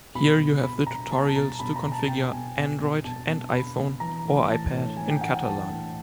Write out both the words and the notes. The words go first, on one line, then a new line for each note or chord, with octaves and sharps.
Here you have the tutorials to configure Android and iPhone or iPad in Catalan.
B2 B5
B2
B2 B5
B2 A#5
B2 A5
A5
B2 A#5
B2 B5
A#5
B2
A5
B2 G5
B2 G#5
B2
B2
B2 A5
B2
B2 B5
B2
E3 A#5
A2
E3 A5
A2
E3 G#5
G5
A2 F#5
G5
E3 A5
A2